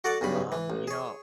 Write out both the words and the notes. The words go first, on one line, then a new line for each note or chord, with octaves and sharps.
Um, you know
F#4 A4 D5 F#5
B1 G2 C#3 B5
E3
A1
G#4 C#5